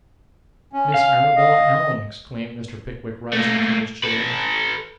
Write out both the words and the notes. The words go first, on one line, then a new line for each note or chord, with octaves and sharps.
'Miss Arabella Allen!' exclaimed Mr. Pickwick, rising from his chair.
C#4
F5
D#5
A3 A#3
A4 B4